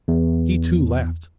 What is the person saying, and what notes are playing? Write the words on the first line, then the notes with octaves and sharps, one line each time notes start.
He, too, laughed.
E2